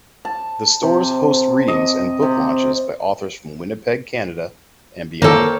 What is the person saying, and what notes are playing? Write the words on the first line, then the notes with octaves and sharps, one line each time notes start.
The stores host readings and book launches by authors from Winnipeg, Canada and beyond.
A5
C3
D#5
C3
A#3 A4 C5 C#5 G5